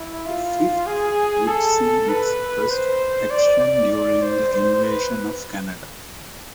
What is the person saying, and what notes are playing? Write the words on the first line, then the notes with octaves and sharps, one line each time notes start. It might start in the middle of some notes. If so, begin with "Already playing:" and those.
The Fifth would see its first action during the Invasion of Canada.
Already playing: E4
F4
G#4
A4
B4
C5
D5
D5
D5
C5
C5
B4